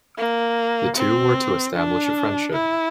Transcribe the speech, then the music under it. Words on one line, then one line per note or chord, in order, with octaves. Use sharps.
The two were to establish a friendship.
A#3
C4
D4
E4